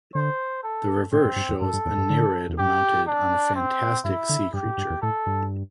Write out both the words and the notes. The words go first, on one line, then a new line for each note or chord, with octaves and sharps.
The reverse shows a Nereid mounted on a fantastic sea creature.
D3 C5
A4
A2 C4
G2
G2
E2
G2 A4
G2
E2
G2
D3
E2
G2 G4
D4
C4
G2 E4
D3
G2 G4
A2
G2
E2
A2 A4
G2